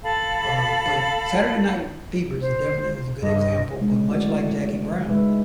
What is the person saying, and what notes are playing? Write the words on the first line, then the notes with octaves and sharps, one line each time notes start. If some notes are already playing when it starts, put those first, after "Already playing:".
Uh, but Saturday Night l Fever is a definitely was a good example, but much like Jackie Brown,
A4 F5 A5 B5
C5
G2 D#5
C#3 G#3 C#4
E3 A3 F#4 D5
C#3
D#3 G#3 B4 E5